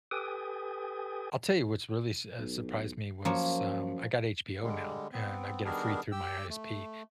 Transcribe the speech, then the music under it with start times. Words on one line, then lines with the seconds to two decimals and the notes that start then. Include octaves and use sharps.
I'll tell you what's really s eh, surprised me was, um, I got HBO now, and I get it free through my ISP,
0.11 G4 A4 B4 G5 G#5 D#6
2.39 B1
3.25 F#2 F3 A#3 C#5
4.63 D3 G3 G#3
5.13 B3 C4
5.65 D#3 G3 B3 D4 G#4 A#4
6.12 G4 G5 E6
6.50 A3